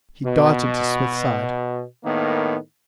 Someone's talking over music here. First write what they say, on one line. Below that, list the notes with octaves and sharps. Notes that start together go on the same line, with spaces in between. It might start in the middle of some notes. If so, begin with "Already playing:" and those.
He darted to Psmith's side.
B2
A2 D#3 A#3 B3